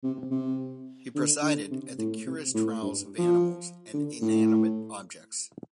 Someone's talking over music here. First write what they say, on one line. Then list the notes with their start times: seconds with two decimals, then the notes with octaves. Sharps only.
He presided at the curious trials of animals and inanimate objects.
0.03 C3
0.31 C3
1.15 D3
1.42 D3
1.70 C3
1.98 A2
2.26 C3
2.54 A2
2.82 G2
3.18 F3
3.93 D3
4.21 A2